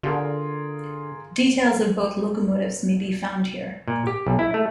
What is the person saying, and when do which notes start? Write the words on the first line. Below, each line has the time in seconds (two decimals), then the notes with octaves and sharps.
Details of both locomotives may be found here.
0.03 D3 F4 G#4 A#4
3.88 A#2
4.07 G4
4.27 B1
4.39 E4
4.54 A3